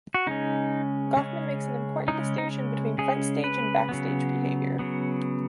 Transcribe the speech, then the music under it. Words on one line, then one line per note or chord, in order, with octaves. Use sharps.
Goffman makes an important distinction between "front stage" and "back stage" behavior.
F#4
C#3 G#3 C#4 D#4
C#3 G#3 C#4
C#3 G#3 C#4 D#4
D#4
C#3 G#3 C#4 G#4
B4
C#3 F#3 B3
C#3 F#3 B3